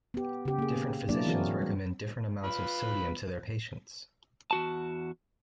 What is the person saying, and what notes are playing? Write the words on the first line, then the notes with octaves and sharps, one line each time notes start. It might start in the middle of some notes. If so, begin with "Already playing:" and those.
Different physicians recommend different amounts of sodium to their patients.
B3 G4
C#3 G4
A#3 G#4
F#3 A#3 D4 E4 D5
E3 C4 E4 F#4 G#4 A#4
G3
F4 B4 B5
E2 F#4 A5